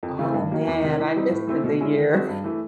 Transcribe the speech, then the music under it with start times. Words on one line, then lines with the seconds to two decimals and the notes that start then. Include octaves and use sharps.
Oh man, I missed it the year.
0.03 F2
0.19 C#3 E3 A3 C4
0.34 G2
0.51 D#3 F#3 A#3
0.67 E2
0.83 C3 D#3
0.99 E3
1.16 G3 C4 D#4
1.31 A2
1.48 E3 A3 C4
1.64 B2
1.81 G#3 C#4 E4
1.96 D#3
2.12 G#3 C4 D#4 F#4
2.28 G2
2.44 E3 A3